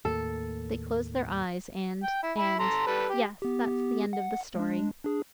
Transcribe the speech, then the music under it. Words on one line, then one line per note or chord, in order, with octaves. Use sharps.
They closed their eyes, and--and--! Yes, that's the end of the story!
D#2 A2 A#3 A4
G5
E4
E5 B5
A4 A#5 C6
G3 A4 B4
G4
B3 G4
F#5
G#3 D4
D4 G#4